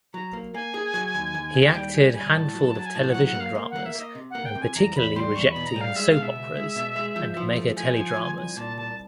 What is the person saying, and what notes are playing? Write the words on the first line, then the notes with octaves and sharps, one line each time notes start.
He acted handful of television dramas and particularly rejecting soap operas and mega teledramas.
F#3 A#5
A#3
A#3 G#5
G#4
F#3
D#2
D#2
D#2
G#5
G3 G5
G3 G#5
G3 G#5
A2 A5
F#3
F#3
G#5
A2 A5
F#3 F#5
F#5
A#3
F5
A#3
F#5
A#3
E5
A#3 D#5
C3
A#3 F#5
G5
C3
G#5
E2 A#5
E2 B5
G3 C6
E2 C#6
B2 B5
A#5
G3 F5
G#3 E5
F5
B2
E5
C#2
G#3
B2
G#3
F3
F3
A3
F3 G#5
F3
F3
C2 G#5
A#2 A5
C2 A5